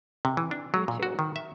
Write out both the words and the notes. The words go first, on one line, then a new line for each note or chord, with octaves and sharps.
you too,
C3
E3
D4
F#3
A#2
F#4
D#3
E5